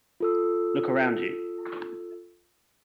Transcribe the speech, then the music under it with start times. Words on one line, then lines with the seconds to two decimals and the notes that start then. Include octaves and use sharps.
Look round you.
0.20 F4 A4 E6